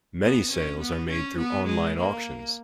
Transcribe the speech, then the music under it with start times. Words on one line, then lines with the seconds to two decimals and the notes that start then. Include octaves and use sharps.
Many sales are made through online auctions.
0.23 B3
0.51 C#4
0.80 B3
1.09 C#4
1.38 B3
1.67 G#3
1.96 A#3